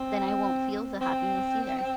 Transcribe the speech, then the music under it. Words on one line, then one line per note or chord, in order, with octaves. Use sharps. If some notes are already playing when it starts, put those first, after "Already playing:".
then I won't feel the happiness, either.
Already playing: C4
C4